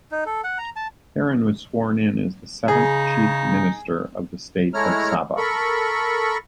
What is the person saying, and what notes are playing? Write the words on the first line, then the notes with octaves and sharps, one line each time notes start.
Pairin was sworn in as the seventh Chief Minister of the state of Sabah.
D#4
A4
F#5
A#5
A5
C#3 D#4 G#4
G#3 A3 E4 C#5 A#5 F6
A4 A#4 B5 C#6